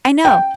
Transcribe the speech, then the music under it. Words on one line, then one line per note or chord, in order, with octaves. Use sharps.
I know.
G5